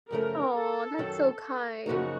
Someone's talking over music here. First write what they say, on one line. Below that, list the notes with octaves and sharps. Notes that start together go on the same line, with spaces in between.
Aw, that's so kind.
F#2 C#3 F3 A3 A#4
A4
F#2 D#3 F#3
F#2 C#3 F3 A#3 D#4 F#4